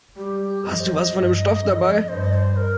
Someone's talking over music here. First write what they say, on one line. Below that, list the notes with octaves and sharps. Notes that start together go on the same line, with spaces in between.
Hast du was von dem Stoff dabei?
G3 G4
F2 D#5
C5
D#5
G2
F2
G2 C5
D#5
C5
A#4